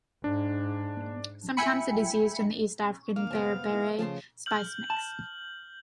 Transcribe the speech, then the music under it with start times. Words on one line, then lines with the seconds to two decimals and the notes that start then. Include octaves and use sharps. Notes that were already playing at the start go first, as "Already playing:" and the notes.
Sometimes it is used in the East African "berbere" spice mix.
0.24 G#2 D4
1.57 E5 G5 G#5 B5 C#7
3.16 A#3 F5
3.31 F#2 C#3 B3 C5 G5 A5
3.72 B3 D#4 E4
3.84 E5
3.99 C#3 F3 A3 A5 C6
4.46 F6 G6 F#7
4.90 A5